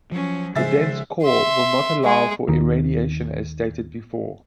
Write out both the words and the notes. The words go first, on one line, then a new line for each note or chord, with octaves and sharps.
The dense core will not allow for irradiation as stated before.
F3 F#3 C#4
C#3 F3 G#3 C5 E5 A6
E5 C6
G#3 G#4
D#2 D#3